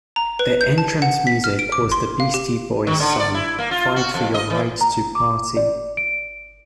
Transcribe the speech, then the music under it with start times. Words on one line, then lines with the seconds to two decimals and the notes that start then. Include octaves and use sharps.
Their entrance music was the Beastie Boys' song "Fight For Your Right to Party".
0.16 A#5
0.39 B4
0.61 G6
0.78 A5
1.02 F#5
1.27 B6
1.44 F6
1.59 D7
1.72 D6
1.92 C6
2.20 F5
2.34 G4
2.87 D#3
3.00 D3
3.20 D5
3.34 E4
3.59 A#3
3.71 F4
3.96 F#4
4.14 F2
4.34 D#5
4.50 E3
4.81 A#5
5.15 D6
5.57 D5
5.97 D7